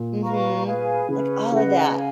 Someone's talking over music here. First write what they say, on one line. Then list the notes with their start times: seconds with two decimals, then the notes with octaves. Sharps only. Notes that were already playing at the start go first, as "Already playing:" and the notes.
Mhm. Like, all of that.
Already playing: A#2
0.23 B4 F5 A#5 C#6
0.66 G#4 B4 F5 G#5
1.09 C#3 C#4 G#4 B4
1.52 C#3 B4 D#5 F#5
1.95 F5 G#5